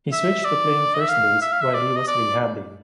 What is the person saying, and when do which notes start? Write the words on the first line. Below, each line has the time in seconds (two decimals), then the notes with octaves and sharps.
He switched to playing first base while he was rehabbing.
0.12 E5
0.45 D5
0.94 D#5
1.01 E5
1.09 F5
1.42 E5
1.52 F5
1.61 E5
1.74 D5
1.96 D#5
2.07 D5